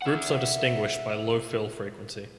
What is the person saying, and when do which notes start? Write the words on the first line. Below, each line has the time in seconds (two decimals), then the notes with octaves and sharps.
Groups are distinguished by low fill frequency.
0.02 E5 F#5